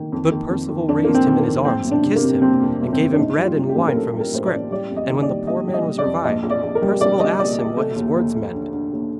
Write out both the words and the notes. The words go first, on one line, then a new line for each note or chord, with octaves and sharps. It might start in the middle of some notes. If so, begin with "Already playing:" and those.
But Perceval raised him in his arms and kissed him, and gave him bread and wine from his scrip, and when the poor man was revived, Perceval asked him what his words meant.
Already playing: D#3
F2
D#3
F2
D#3
F2 D4
F2 A#3
C4
D#3
A#3
F2
F2 C4
G1
D4
C3
A#3
C3
F2 C4
F2
G1
C4
G1
D4
A1 D#4
G3
F4
G3
G4
A1
A#4
A1 A4
G3
A#4
A2 C5
D5
A1
G3 D5
F2
D#5
D#3
D5
G3
G3 D#5
G3
D#5
G3
D5
F2
A#1 D#5
A#1
D5
A#1
A#4
G3
A#1 D5
G3 D#5
A#1 D5
A#1
A3
D#2
D#2
A3
D3
D3
D#2